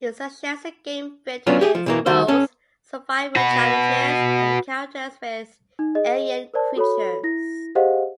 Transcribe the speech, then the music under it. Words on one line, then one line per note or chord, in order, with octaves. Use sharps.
It suggests a game filled with both survival challenges and encounters with alien creatures.
F#3 B3 C#4 D4 F4
G4 G#4
F3
B2 E3 A#3
C2 D#3 F#4 C5
C#4 A4
F#4 B4
D#4
G#4 D#5
A#4 C5 D5 A5
F#4 A4 C#5 B5
E4 A#6
G4 G#4 C5 D#5 F5 F#5